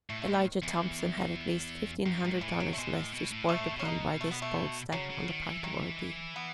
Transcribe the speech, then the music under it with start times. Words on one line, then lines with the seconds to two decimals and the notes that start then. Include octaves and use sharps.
Elijah Thompson had at least fifteen hundred dollars less to sport upon by this bold step on the part of Ordee.
0.10 A2 A3
0.22 A3
0.27 A2 G#3
0.45 D#3
0.62 E2 E3
2.05 F#2 D#3
2.24 G#2 D#3
2.41 A2 E3
2.60 C#3 F#3
2.72 C#3 A3
2.78 B2 G#3
2.96 A2
3.13 B2
3.31 A2
3.49 B2 A3
3.61 A2
3.73 B2
3.79 C#4
3.85 D#4
4.21 A3
4.31 B3
4.42 A3
4.92 C#3 F#3
5.10 C#3
5.28 D#3
5.47 E3
5.64 D#3
6.36 B3